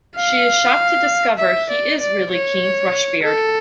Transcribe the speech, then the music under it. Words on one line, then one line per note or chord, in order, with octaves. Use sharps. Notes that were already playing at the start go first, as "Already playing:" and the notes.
She is shocked to discover he is really King Thrushbeard.
F5
E5
D5
D5
C#5
A4